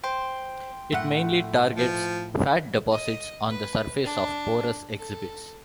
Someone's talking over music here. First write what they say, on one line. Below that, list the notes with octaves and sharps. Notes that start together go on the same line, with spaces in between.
It mainly targets fat deposits on the surface of porous exhibits.
C5 G5 C6
A2 A3 F#5
F3
D#5
B4
D4
A4